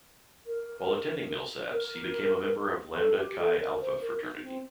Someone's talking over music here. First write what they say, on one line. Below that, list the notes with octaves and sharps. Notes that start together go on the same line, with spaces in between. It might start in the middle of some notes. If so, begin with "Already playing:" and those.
While attending Millsaps, he became a member of Lambda Chi Alpha Fraternity.
A#4
A#4
A4
G4
A4
A#4
C5
A#4
D#4
C4